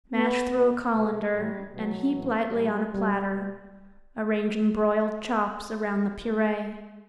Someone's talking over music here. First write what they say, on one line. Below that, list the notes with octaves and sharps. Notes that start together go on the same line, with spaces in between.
Mash through a colander and heap lightly on a platter, arranging broiled chops around the puree.
B2 B3
B2
B2 A3
A2 E3 G3
B2 F#3
A2 E3
A2 E3 G3
B2 G3
B2